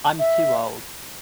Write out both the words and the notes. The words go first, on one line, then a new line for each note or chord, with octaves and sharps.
I'm too old.
E5